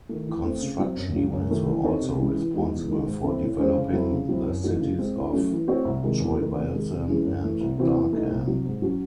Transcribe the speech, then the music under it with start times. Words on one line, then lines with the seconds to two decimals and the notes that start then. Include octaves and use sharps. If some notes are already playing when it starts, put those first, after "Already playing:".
Construction units were also responsible for developing the cities of Choibalsan and Darkhan.
0.09 D#3 A3
0.27 E3
0.44 A3 C4
0.62 C#3
0.79 F#3 C4
0.97 F#2
1.14 C#3 F#3 C#4
1.32 F#2
1.49 D#3 A3
1.66 E3
1.84 C4 D#4 A4 C#5
2.01 C3
2.19 E3 G#3 C#4 E4
2.36 E3
2.54 G#3 D#4 F#4
2.71 E2
2.88 D#3 G#3 D#4
3.06 G#2
3.24 E3 C4 E4 A4
3.41 A2
3.59 G#3 C#4 G#4 C5
3.75 C#3
3.93 F#3 C4 E4 A4
4.11 C#3
4.29 F#3 C4 E4
4.46 F#2
4.63 E3 A3 D#4 F#4
4.80 C#3
4.98 G#3 C4
5.16 A2
5.33 F#3 A3 C#4
5.50 E3
5.68 A3 C4 F#4 C#5
5.85 C2
6.03 C3 D#3 G#3
6.20 E2
6.38 D#3 A3
6.56 C3
6.73 D#3 G#3
6.91 C3
7.08 E3 G#3 C#4 G#4
7.25 F#2
7.43 E3 A3
7.61 C2
7.77 C3 E3 C4 F#4
7.95 E3
8.13 A3 D#4
8.30 C2
8.47 C3 F#3
8.65 G#2
8.82 F#3 C#4 F#4